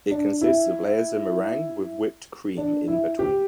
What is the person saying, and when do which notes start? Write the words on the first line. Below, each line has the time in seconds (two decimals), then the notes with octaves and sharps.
It consists of layers of meringue with whipped cream in between.
0.11 D4
0.41 E4
2.57 D4
2.88 E4
3.19 G4